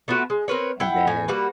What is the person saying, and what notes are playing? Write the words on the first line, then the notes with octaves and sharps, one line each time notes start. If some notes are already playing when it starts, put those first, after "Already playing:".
And then,
A3 B3 F4 F#4
G#3
C4 A#4 B4 C#5
E4 F#5 G5
A2 G#5
G3 A#3 F#4 B4